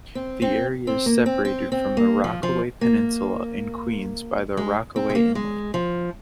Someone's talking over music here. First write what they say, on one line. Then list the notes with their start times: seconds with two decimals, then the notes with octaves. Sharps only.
The area is separated from the Rockaway Peninsula in Queens by the Rockaway Inlet.
0.15 C4
0.42 C4
0.87 C4
1.06 A#3
1.26 C4
1.45 C4
1.72 C4
1.97 A#3
2.24 F3
2.43 F3
2.81 A#3
4.57 G#3
4.96 C4
5.10 G#3
5.15 A#3
5.35 G#3
5.74 F3